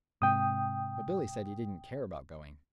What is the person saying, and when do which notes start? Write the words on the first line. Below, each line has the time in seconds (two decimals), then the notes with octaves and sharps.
But Billy said he didn't care about going.
0.22 G#2 C3 G5 D#6